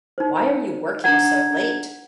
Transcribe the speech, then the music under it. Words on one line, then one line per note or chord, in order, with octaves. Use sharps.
Why are you working so late?
D#4 C5
D4 F#5 A#5 G#6